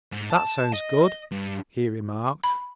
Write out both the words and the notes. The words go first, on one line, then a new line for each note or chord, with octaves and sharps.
"That sounds good," he remarked.
G#2
A5
D#5
G2
B5